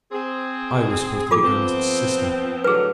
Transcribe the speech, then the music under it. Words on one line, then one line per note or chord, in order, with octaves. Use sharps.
I was supposed to be Ernest's sister.
C4 G#4
F4 A4 D6
F3 B3 C4
A2 D3 F#3 G#4 B4